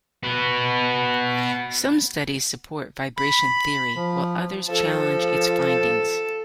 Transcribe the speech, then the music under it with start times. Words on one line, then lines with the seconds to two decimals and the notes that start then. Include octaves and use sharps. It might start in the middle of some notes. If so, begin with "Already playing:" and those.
Some studies support vibration theory while others challenge its findings.
0.23 B3 F#4
3.17 B5
3.96 F3
4.68 F3 A4